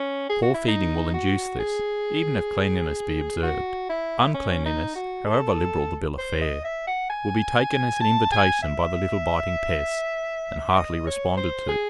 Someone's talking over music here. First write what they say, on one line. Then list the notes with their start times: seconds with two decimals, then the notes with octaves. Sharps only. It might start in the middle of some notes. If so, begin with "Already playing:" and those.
Poor feeding will induce this, even if cleanliness be observed; uncleanliness, however liberal the bill of fare, will be taken as an invitation by the little biting pests, and heartily responded to.
Already playing: C#4
0.30 G#4
0.42 F#4
0.54 E4
0.68 D#4
1.14 F#4
1.59 G#4
3.43 F#4
3.89 E4
4.34 C#4
4.65 D#4
4.95 F#4
5.26 A4
6.18 C5
6.41 D#5
6.64 E5
6.87 F#5
7.10 G#5
8.01 A5
8.32 G#5
8.62 E5
10.76 D#5
11.07 C#5
11.37 C5
11.68 G#4